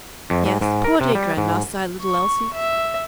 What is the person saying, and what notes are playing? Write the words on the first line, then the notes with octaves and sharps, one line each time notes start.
"Yes, poor dear grandma!" sighed little Elsie.
F2
G#2
G#2
A#4
C3
G3
G#2
C#6
E5